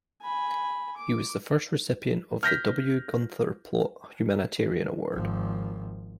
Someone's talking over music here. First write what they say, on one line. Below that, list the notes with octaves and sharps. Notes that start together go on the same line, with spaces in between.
He was the first recipient of the W. Gunther Plaut Humanitarian Award.
G#5 B5
D6
F6 G6 A#6 B6
G#1 F3